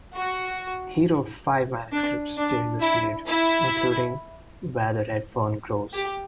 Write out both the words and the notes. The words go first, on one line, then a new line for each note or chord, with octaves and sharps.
He wrote five manuscripts during this period, including "Where the Red Fern Grows".
F#4
D4
D4
E4
E4
G4